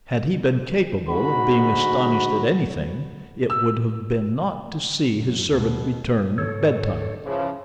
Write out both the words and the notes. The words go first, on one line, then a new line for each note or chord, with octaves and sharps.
Had he been capable of being astonished at anything, it would have been not to see his servant return at bedtime.
G#2 D3 F#4 B5
E6
F#2
D#2 B2
G#2 A4 C#5
C#3 E3 F3